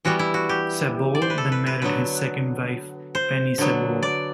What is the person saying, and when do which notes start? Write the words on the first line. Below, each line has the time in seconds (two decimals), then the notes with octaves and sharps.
Sabol then married his second wife, Penny Sabol.
0.05 E3 G3 B3 F#4
0.19 E4
0.34 F#4
0.49 G4
1.15 D5
1.22 C5
1.30 B4
1.38 A4
1.52 B4
1.66 B4
1.82 D3 F#3 B3 B4
3.15 C5
3.58 D3 F#3 B3
4.03 D5